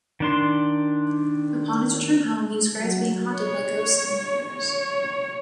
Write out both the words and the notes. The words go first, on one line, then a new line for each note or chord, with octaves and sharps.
Upon his return home, he describes being haunted by ghosts and nightmares.
D#3 D4 C6
F#3
C#5
C#5